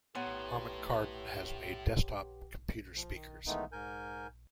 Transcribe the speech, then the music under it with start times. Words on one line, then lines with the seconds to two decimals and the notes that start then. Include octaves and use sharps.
Harman Kardon has made desktop computer speakers.
0.15 A2 B3 G4 C#5 A#5 C6
2.96 F3
3.15 D#3
3.47 D#3 E3 G#3 A3 B3 D#4
3.72 G#2 A#4 G#5 G6